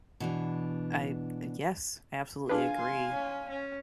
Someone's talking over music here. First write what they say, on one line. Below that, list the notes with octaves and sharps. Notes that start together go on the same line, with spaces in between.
I, uh, yes. Absolutely, I agree,
B2 E3 D4
D4 F4 G#4 B4 F5 G#5
C6
C#4
C#4